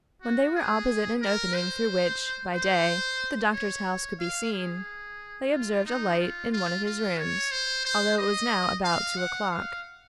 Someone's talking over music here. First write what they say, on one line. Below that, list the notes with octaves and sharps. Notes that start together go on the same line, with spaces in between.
When they were opposite an opening through which, by day, the doctor's house could be seen, they observed a light in one of his rooms, although it was now about two o'clock.
F#4
G#4
A#4
C5
C5
C#5
F5
G#4
F4
D#4
F4
F4
F4
C#5
C5
C5
D#5
F5
F#5
F5